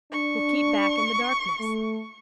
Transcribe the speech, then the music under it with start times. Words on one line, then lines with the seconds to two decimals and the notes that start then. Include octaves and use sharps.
We'll keep back in the darkness.
0.12 D4 C#6
1.60 A3